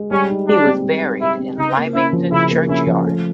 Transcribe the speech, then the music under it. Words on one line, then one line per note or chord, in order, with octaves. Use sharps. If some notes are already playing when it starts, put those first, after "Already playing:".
He was buried in Lymington churchyard.
Already playing: G#3
G3 C#4
D#4
D4 G4
C4
G3
D#4
E4 G4
C4
C#3 D#4
A#3
C#4 E4
F3
C#3 E4
A#3
C#4 E4
F3
A3